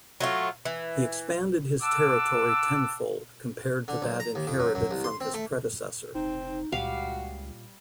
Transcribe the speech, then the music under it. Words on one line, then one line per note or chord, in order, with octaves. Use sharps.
He expanded his territory tenfold compared to that inherited from his predecessor.
F#3 A3 F4
E3
F#5 A5 D6 E6
D3
B1
A#5
D#2
F2
F#2
F#2
C2
C6
C4
A3
F1 C4 D#4
C#2 A#2 G3 F#4 F5